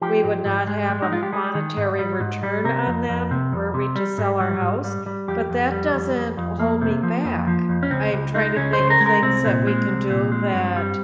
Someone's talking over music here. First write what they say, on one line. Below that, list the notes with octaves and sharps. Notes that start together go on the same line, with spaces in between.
we would not have a monetary return on them were we to sell our house, but that doesn't hold me back. I'm trying to think of things that we can do that
F3 G4
G#2
G#2
G#3
G#3
D#4
G#3 F4
G4
G3 G#4
D#3
G#2
G3
G#2
G3
C3 A#4
F2
F2
C3
F2
C3
G3
G#2
G3
G#2
G3
G3
F2 G4
F2
G3
F2
F2
F2
F2 A#3
C3
F3
F2
F3
F2
C#4
C#2 C4
C#2
G#3 D#4
C#2 C#4
C5
C#3
A#4
G#3
A#4
C2 C4
A#2
G#3
C2
A#2
G#3
G2
G3